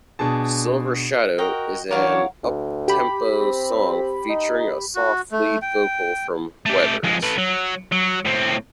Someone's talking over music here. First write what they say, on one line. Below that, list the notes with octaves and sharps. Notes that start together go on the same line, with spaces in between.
"Silver Shadow" is an uptempo song featuring a soft lead vocal from Weathers.
B2 D4 G#4 A5
F#4 A#4 D#5 G5
E3 F#3 D4 A#4 C#5 F5 F#5
D2
G4 B5
C4
D#4
F#4
A3
G5
A3 G4
F2 G#3
A3 B4
F#3
F#3
A2 C4